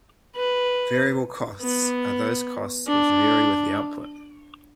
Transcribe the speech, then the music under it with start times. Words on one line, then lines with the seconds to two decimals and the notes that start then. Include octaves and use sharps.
Variable costs are those costs which vary with the output.
0.36 B4
1.61 B3
2.88 D4